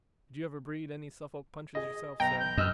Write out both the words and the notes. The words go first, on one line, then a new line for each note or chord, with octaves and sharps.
Did you ever breed any Suffolk Punches yourself, sir?'
G#4 D#5
B1 G5 A#5
G6
F#2 D#5 E6 F6